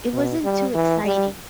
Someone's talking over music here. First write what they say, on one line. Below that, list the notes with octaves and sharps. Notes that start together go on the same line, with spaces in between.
it wasn't too exciting.
B2
G3
E3
G3